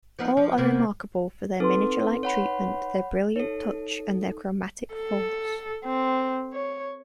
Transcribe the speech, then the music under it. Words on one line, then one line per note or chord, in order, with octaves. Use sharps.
All are remarkable for their miniature-like treatment, their brilliant touch, and their chromatic force.
F3 B3 D#4
F3
C3 A#3 B3
C4 D#4 A4 B4 C6
C#5 F#5 B5
D#4 A4 C#5
A4
C4
C#5